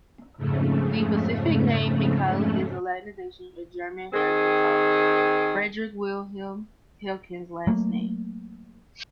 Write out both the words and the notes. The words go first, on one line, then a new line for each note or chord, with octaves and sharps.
The specific name, "henkeli", is a Latinization of German herpetologist Friedrich-Wilhelm Henkel's last name.
F2 G#2 C#3 A3
D#3 C4 G#4
F#3 A3 A#3